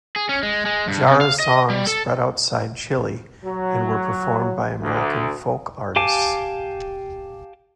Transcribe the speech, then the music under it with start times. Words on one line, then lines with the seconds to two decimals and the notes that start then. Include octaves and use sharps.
Jara's songs spread outside Chile and were performed by American folk artists.
0.16 G#4
0.29 C#4
0.43 G#3
0.66 G#3
0.88 G2
1.07 C3
1.21 F5
1.40 D#5
1.70 G3
1.87 A4
3.44 F#3
4.79 D2
5.96 G4 F5 G#5 A5 D6